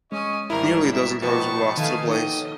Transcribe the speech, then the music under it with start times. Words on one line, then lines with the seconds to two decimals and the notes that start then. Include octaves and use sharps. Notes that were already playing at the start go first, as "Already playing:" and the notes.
Nearly a dozen homes were lost to the blaze.
0.12 G#3 C#4 D#5 G#5 C#6
0.50 G#1 G3 E4 A#4 A#5
0.93 E5
1.22 B2 F3 D#4 B4 G5 A5 B5 C#6
1.77 D#3 A3 D#5 F5 G#5
2.09 A#3 D#4 A4 C#5 D#5 G5